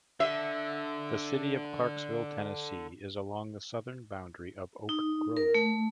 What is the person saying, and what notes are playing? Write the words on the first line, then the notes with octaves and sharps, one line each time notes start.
The city of Clarksville, Tennessee, is along the southern boundary of Oak Grove.
D3 E5
D#4
A#4
A3